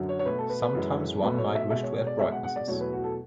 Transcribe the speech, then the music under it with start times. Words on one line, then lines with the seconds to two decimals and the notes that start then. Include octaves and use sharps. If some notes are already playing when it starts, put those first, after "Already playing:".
Sometimes one might wish to add brightnesses.
Already playing: F#2 D3 F#3
0.09 C#5
0.19 C#5
0.25 B2 A3 B4
0.38 A4
0.49 B4
0.62 B4
0.75 F#2 E3 G#3
1.23 B2 F#3 A3 B4
1.38 C#5
1.55 E5
1.70 B2 G#3 E5
1.83 C#5
1.96 C#5
2.07 D5
2.19 B2 G#3 E5
2.32 F#5
2.44 F#5
2.56 D5
2.67 E2 B2 F#3 A3 C#5
2.81 B4
2.93 F#4
3.04 A4